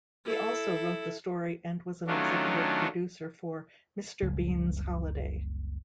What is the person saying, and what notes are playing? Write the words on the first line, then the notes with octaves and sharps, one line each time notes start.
He also wrote the story and was an executive producer for "Mr. Bean's Holiday".
E4 A4
D#3 F#3 A3 C#4 D4 F4
F#1 C#2 G3